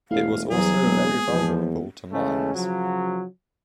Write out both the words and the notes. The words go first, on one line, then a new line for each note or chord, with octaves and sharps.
It was also very vulnerable to mines.
E1 A3 E4 F5
E2 F#3 G3 G#4 C5
E1 G#3 A#3 B3
E2 F3
C#3 E3 G#3 A3 C#4
C#3 F3 F#3